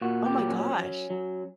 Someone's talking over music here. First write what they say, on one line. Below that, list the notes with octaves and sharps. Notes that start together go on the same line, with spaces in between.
Oh my gosh.
A#2 F#4
G4
F#3
C#4
F#3
F#3